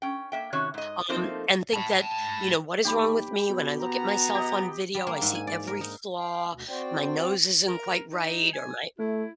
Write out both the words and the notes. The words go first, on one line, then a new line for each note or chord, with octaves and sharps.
um, and think that, you know, "What is wrong with me when I look at myself on video? I see every flaw. My nose isn't quite right or my"
C#4 G5
A#3 E5 G5
C3 D#3 C#4 F#4 C#5 E5
G#2 D#5
F3 A3 A#3 C4 D#4 C5
A5 B5
D#2 G4 B5 D6
B2
B3 F#5 A#5
G4 D#5
G3
A#3
G#2
G#5
D5
A#4
D#4
F5 G5
D2 B2
C4 F#4 C5 D5 G5
A#4
D#4
G#5
A3 E4